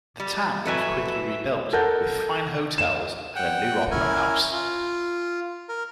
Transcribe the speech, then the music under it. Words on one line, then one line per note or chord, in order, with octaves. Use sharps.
The town was quickly rebuilt with fine hotels and a new opera house.
G3
F2 A2 F#3 F#4 A4 B4 E5 G#5
A4 A#4 F#5 A5 G6
E7
F#5 G5
C#4 E4 A#4 G#5
F4
A#4